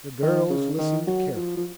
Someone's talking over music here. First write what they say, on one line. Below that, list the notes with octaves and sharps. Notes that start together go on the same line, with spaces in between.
The girls listened carefully.
D#3
C#3
D#3
F#3
F3
F3